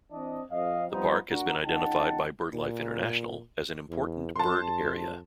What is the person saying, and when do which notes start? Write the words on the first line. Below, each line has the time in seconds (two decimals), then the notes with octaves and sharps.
The park has been identified by BirdLife International as an Important Bird Area.
0.11 E3 C4 D4 D#5
0.50 F2 D#5 F5
0.91 F3 G3 B3 C4 D#4 F4
1.30 D4 F#4 A#4
1.63 C#2 D#4 F#5 G5 A5
2.54 A#2
3.90 E2
4.36 F2 A5 C6